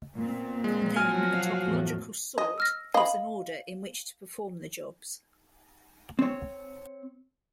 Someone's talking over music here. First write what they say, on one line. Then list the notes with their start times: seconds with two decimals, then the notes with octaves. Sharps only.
Then, a topological sort gives an order in which to perform the jobs.
0.18 A#2 B3 C4
0.64 G#3
0.96 F3 F#3 F#4 G#5 F6
1.34 F5
1.65 E2 A2
2.38 D#5
2.58 E6 F6 A#6
2.94 D#5 F5 B5
6.19 C4 C#5